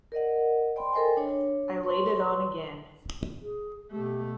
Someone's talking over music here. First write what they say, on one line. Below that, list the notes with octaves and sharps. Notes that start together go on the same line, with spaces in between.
I laid it on again.
A#4 D5 D#5 F#5
C5 D5 G5 B5 C6
A4 A#4 C5 D#5 G5 G#5
D4 C#5
B4 C#5 C6 C#6
G#4
B2 A3 G4